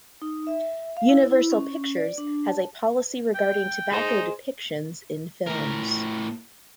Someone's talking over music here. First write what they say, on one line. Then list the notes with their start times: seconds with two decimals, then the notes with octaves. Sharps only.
Universal Pictures has a "Policy Regarding Tobacco Depictions in Films".
0.22 D#4
0.47 E5
0.97 F5
1.09 E4
1.31 E4
1.51 C#4
1.97 D5
2.18 D4
2.47 A5
3.35 G5
3.92 D#4 G#4 C5 D#5
5.47 A2 A#4